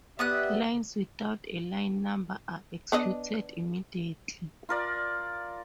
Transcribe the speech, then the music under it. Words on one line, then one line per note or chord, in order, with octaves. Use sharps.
Lines without a line number are executed immediately.
B3 G4 D5 E5 D#6 F#6
B3 D4 D#5
F4 A#4 D5